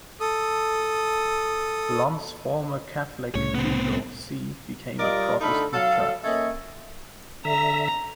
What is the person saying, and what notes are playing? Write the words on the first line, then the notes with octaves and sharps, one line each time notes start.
Lund's former Catholic cathedral see became a Protestant church.
A4 D#6
C2 A2 C#3 C#5
B3 C4
G3 F4 A#4 D5 D#5
D3 A3 D#4 F4 A4 B5
F#3 A4 F5
A#3 C#4 A4 C#5 D#5 E5
D3 E5 A#5